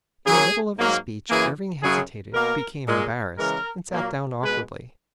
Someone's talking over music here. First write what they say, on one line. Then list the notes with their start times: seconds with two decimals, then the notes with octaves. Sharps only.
In the middle of his speech Irving hesitated, became embarrassed, and sat down awkwardly.
0.25 C#3 F#3 A#3 G#4
0.78 G#2 F#3 A#3
1.30 F#2 E3 A#3 G#4
1.82 F#2 C#3 F#3 G#4
2.34 B2 A#3 A#4
2.86 A#2 G#3
3.38 C#3 E3 G#3 A#4
3.91 A#2 F#3 A#3
4.43 B2 G#3 B4